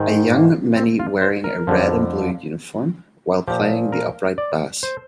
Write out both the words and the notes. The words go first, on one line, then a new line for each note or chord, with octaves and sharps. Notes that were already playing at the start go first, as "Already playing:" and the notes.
A young many wearing a red and blue uniform while playing the upright bass.
Already playing: G#2 D#3
A#3
C4
F4
C5
A#4
F2 D3 F3
A#2 F3 G4
A#4
D5
C5